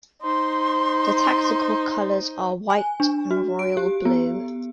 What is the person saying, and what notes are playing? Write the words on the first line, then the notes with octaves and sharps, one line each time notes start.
The Tactical colours are White on Royal blue.
D#4 C5 C6
G#5
D4
F#4
D7
G4
B3